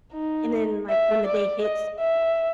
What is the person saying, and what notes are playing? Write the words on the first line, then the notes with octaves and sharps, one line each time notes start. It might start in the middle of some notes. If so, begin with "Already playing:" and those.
and then, like, when the day hits
D#4
E5
D5
D#5
E5